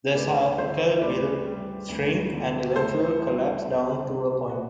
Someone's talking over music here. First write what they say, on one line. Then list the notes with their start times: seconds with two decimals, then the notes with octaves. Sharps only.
The circle will shrink and eventually collapse down to a point.
0.14 D2 B4 D5
0.58 D3 C5 E5
1.01 D2 B4 D5
1.45 G3
1.89 D2
2.32 D3
2.75 D2 A4 C5
3.19 G3
3.63 C2
4.06 C3
4.50 F#4